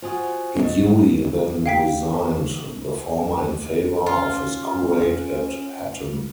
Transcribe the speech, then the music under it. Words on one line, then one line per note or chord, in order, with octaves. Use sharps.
He duly then resigned the former in favour of his curate at Hatton.
F4 F#4 C5 G#5 D#6
C#4 D#5
F5 G5 B6
C#4 F4